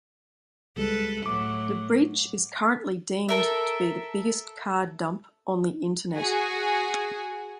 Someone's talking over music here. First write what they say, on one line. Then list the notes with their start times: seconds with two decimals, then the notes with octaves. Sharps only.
The breach is currently deemed to be the biggest card dump on the internet.
0.77 C#2 G3 G#3 A4 B4
1.26 A2 F#3 D6
3.29 A4 A#4 E5
6.15 F#4 G#4